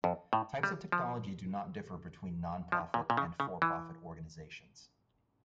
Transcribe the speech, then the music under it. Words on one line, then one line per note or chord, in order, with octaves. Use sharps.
Types of technology do not differ between nonprofit and for profit organizations.
F2
A2
G3
F3
F3
A#2
A#2
C#3
C#3
E3